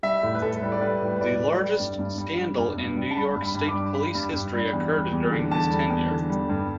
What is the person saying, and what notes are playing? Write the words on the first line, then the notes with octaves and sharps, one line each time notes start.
The largest scandal in New York State Police history occurred during his tenure.
G3 E5
A2
B4
A2 A4
G3
D5
G3 B4
A2
B4
A2 D5
G3
G3
G2
G2
G3
G3
G2
G2
G3
A5
G3 B5
G2
B5
G2
D6
G3
G3 B5
G2
G2
G3
E2
G3
E2
D3
E2 A5
G3
E2
D3
G3
G2